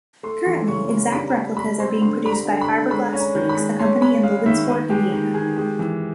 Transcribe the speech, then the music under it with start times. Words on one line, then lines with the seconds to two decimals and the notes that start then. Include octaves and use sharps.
Currently, exact replicas are being produced by Fiberglass Freaks, a company in Logansport, Indiana.
0.23 A3 C6
0.45 E3 C6
0.68 C#3 C#6
0.90 C#3 C6
1.12 G3 B5
1.28 A#5
1.34 G3 B5
1.57 G3 B5
1.79 C4 C6
2.01 D3 C6
2.24 G3 B5
2.31 A#5
2.46 D3
2.61 B5
2.68 D3
2.90 G#3 B5
3.13 C#4
3.20 A#5
3.35 D#3
3.49 B5
3.56 G#3
3.79 C#4 C6
4.01 C#4 B5
4.23 G#3 F5
4.46 D#3 E5
4.68 D#3 B4
4.90 G#3 G4
5.12 D#3
5.34 D#3 G#4
5.56 G#3 G4
5.79 E3